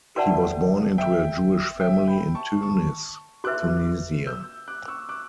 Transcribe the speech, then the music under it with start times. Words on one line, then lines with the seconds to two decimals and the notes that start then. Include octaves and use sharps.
He was born into a Jewish family in Tunis, Tunisia.
0.16 F#4 B4 D5 E5 F#5 G5 A5
0.98 E5 G5
1.80 E5 G5
2.07 G5 B5
2.35 A5 C#6
2.62 A5 C#6
3.44 F#4 B4 E5 D6 F#6
4.27 E6 G6
4.68 D6 F#6
4.88 C#6 E6
5.09 D6 F#6